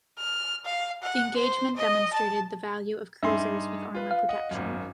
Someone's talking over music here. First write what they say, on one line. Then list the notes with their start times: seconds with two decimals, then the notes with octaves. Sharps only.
The engagement demonstrated the value of cruisers with armor protection.
0.18 F6
0.65 F5
1.02 F#5
1.36 C5
1.76 D#5
2.13 A5
3.23 G2 D#4 G#4 E5 C6
3.94 F4 B4
4.11 F5
4.29 D#5 F#5
4.51 G#1 F#2